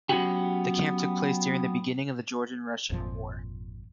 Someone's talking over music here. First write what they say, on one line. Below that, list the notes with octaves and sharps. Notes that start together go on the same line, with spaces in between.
The camp took place during the beginning of the Georgian-Russian war.
F#3 A3 B3 C#4 F#4 G4
G#1 F2 A#2 F3